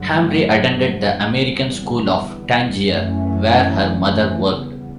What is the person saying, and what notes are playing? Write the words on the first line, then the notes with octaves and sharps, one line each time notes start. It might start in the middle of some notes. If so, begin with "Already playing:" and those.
Hamri attended the American School of Tangier, where her mother worked.
Already playing: G2 D3 F#3 A3
E2 D3 G3 B3
F#2 E3 A3 C#4
E2 C#3 G3 B3